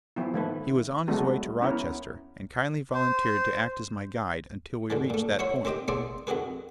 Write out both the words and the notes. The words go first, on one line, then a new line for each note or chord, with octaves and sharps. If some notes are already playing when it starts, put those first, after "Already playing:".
He was on his way to Rochester, and kindly volunteered to act as my guide until we reached that point.
F3 B3 E4
D#3 A3 B4
F#3 G#3 A3 B3 D4 F#4
B3 C#4 E4 A#4
C5
G#2 D3 E3
A#2 A3
F#3 E4 C5 C#5 F#5 C6
D#3 C4 G4 D#5 G5
B3 E4 G#4 C5 D5 G5
F2 D#3 F#4 G#4 B4